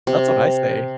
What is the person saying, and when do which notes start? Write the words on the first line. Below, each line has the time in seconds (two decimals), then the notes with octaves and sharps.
That's what I say,
0.07 C3